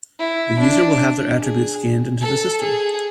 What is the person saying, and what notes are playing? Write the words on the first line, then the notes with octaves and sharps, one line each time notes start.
The user will have their attribute scanned into the system.
E4
D4
G#4
A4
G#4